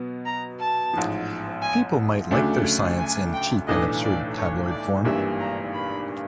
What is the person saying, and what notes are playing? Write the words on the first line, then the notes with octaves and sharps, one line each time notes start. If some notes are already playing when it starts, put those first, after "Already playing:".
People might like their science in cheap and absurd tabloid form.
Already playing: B2 F#3 B3
A#5
A5
A1 G#2 F3
G#5
D2 C#3 F#3 A3 D4
G#5
G5
B1 A2 E3 A3 D4 D#5
D5
C#5
D5
G#1 G2 E3 G3 A#3 E5
A#5
B5